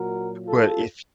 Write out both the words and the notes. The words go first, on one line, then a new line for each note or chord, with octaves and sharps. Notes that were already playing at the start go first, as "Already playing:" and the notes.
but y
Already playing: A#2 F#3 F#4 A#4
F4 A4